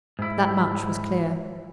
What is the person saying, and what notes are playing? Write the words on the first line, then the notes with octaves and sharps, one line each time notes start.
That much was clear.
G#2 E4